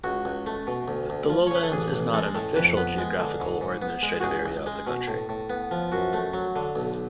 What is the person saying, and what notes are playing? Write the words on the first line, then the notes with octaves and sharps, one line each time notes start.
The Lowlands is not an official geographical or administrative area of the country.
C#2 F#4
C#2
A3
B2
D2
D2
F3
C#5
C#3 B4
A4
A1 G#4
A1
G#3 A4
A2
F2 B4
B3
G#3
D3
G#2
G#2
B3
G#3
F#4
C#2 G#4
C#2
G#3
B2
A2
A2
B3
F3
F#2 F#4
A3
F#3
D3
B1